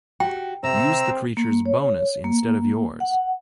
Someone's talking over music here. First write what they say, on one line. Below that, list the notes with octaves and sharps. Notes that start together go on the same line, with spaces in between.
Use the creature’s bonus instead of yours.
F#4 G4 G5
C3 C4 A#5 E6
A#3
C#5
A#3
F#5